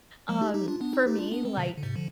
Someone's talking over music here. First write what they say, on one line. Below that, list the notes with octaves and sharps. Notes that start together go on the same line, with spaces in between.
Um, for me, like,
F3 G#3
D#4 G4
D#4 G4
D4 F4
B3 D4
C4 D#4
D#4 G4
D4 F4
B3 D4
G#3 C4
B2 D3
D3
G#2 C3
D3 F3